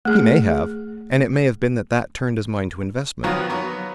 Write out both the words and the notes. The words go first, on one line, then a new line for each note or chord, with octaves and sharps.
He may have, and it may have been that that turned his mind to investment.
A3 G#4
D#3 F3 F#3 B3 F4 F#4
F#3 B3 C#6